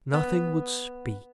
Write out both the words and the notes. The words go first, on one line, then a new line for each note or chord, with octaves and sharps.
Nothing would speak.
B3